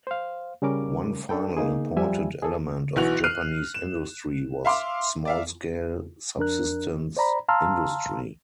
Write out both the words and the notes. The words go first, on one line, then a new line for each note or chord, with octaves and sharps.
One final important element of Japanese industry was small-scale, subsistence industry.
C5 F5
C#3 G3 C#4 A#4 D6
D4 A4 G5
A#3 D#4 G#4
F3 G3 E5 G#5
G#4 A4
B1 E3 F#4 F#6 F7
F6 F#6 C7 D#7
E7
E5 F5 C6 D6
D5 E5 F5
F2 D4 A#4 F#6
C5 D5 A#5 B5
F5 A5 A#5 C6 E6 F6